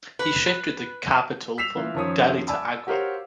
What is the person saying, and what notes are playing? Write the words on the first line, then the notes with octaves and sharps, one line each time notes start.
He shifted the capital from Delhi to Agra.
B4
E6 B6 C7 E7 F7
E3 F4 F5
F#2 D#3 F3 C#5 D#6
D5 G#5 A5 B5 E6
F#4 G4 A#4 C5 C#5 F5